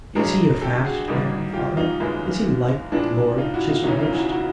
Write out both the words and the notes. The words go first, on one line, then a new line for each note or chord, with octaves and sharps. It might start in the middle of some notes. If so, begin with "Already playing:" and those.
'Is he a fast man, father, is he like Lord Chiselhurst?'
A1 G2 D3 F#3 A3 G#4 A#4
G4 A4
F#4 G#4
A1 G#2 D#3 G3 A#3
F4 G4
D#4 F4
F#1 F#2 D#3 G#3 B3
A#1 A#2 F3 G#3 B3 D4 E4
D#4 F4
E4 F#4
D#4 F4
E1 E2 C#3 E3 C#4 D#4
D#4 F4
E4 F#4
E4 F#4